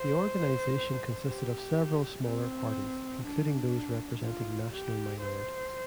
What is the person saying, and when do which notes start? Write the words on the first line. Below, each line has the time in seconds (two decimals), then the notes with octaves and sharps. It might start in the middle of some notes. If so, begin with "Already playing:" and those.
The organization consisted of several smaller parties, including those representing national minorities.
Already playing: C5
1.28 G4
2.26 C4
3.25 D4
4.23 F4
4.73 G4
5.22 C5